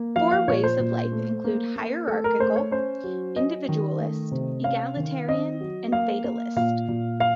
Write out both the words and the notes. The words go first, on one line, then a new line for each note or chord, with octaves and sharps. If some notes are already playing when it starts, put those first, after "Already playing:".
Four ways of life include: Hierarchical, Individualist, Egalitarian, and Fatalist.
Already playing: A#3
F3 F5
F5
A#2 C#5
C5
A#2
A3
A#3
A#3
A3 A4
A#4
A3 C5
C#5
C#4 C5
F#3
C#4 D#5
D#3
A3
C3
C#4 F5
D#3
C4 D#5
F#3
A#3 F5
A#3
A#2 F5
A#2
F5